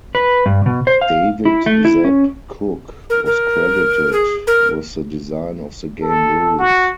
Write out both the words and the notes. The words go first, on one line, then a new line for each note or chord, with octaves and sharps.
David "Zeb" Cook was credited with the design of the game rules.
B4
G2
B2
C5
F5
E4
A3
E4
C#4
A#4
A#4
G#4
A#4
A4
F#4